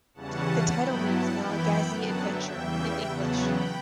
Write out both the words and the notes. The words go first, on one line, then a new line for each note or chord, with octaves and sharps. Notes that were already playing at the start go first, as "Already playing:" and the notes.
The title means "Malagasy Adventure" in English.
E2 C#3 E3 G3 C#4 F#5 A5
G2 F#3 B3 E4 G5 B5
F#5 A5
F#2 E3 B3 E4 G5 B5
F#2 D3 F#3 B3 F#5 A5
E5 G5
E2 C#3 E3 G3 E5 G5
E2 C#3 F#3 B3 F#5 A5
G5 B5